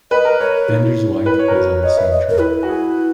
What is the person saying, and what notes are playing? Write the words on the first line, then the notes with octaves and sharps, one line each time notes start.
Bender's wife was on the same train.
B4 D#5
A#4
A#4 C#5
D#4
E4
B4
C#5
A#4
F#4 B4
C#5 D#5
B4 E5
D#5
A#4
E4 B4
F#4
G#4